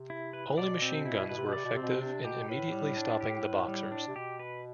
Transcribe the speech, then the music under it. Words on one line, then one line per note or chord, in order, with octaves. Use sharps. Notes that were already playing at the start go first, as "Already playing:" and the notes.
Only machine guns were effective in immediately stopping the Boxers.
Already playing: C3
E4
B4
A2
B2 D5
C4
E4
B2 B4
C3
B2
C3 D5
B2
C3
B2 C4
C3 D4
B2 G4
A2 B4
G3
D4
G4
B4
G3
D4
C3
B2 G4
B4